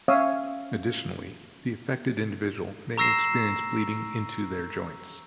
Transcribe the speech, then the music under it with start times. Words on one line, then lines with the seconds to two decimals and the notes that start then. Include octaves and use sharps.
Additionally, the affected individual may experience bleeding into their joints.
0.08 C#4 C#5 E5 F5 D#6 E6
2.97 A#5 C#6 E6 A#6 C7 E7